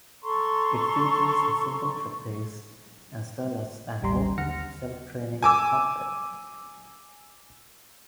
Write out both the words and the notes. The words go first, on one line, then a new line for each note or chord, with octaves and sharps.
It features a single trapeze as well as an open, self-draining cockpit.
A4 A#5 C6 C#6
A1 D#2 G3 A#5 C6
D#2 F#5 F6 A#6 C#7
G#5 D6 E6